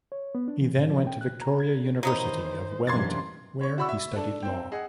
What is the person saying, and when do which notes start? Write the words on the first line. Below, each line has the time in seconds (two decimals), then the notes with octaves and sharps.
He then went to Victoria University of Wellington, where he studied law.
0.12 C#5
0.35 B3
0.48 D4
0.61 E3
0.75 A2
0.89 F3
1.07 G5
1.21 F#6
1.42 A#5
1.60 G#6
2.03 D#3 E3 F#3 B3 D#4 C5
2.87 F#2 C3 E3 A#3 D4 C6 G#6 A6
3.61 C#5 C#6
3.77 E4 F#4 D5 B5 C#6 E6
3.89 E5
4.16 D4 A4
4.43 C4 G5
4.72 G#4 D#5 F#5